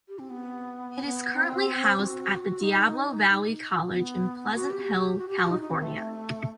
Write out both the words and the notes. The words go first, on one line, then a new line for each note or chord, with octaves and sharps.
It is currently housed at Diablo Valley College in Pleasant Hill, California.
G4
C4
B3
B3
C4
F#4
D#4
B3
F#4
G4
F#4
G4
F#4
D#4
D#4
C4
A3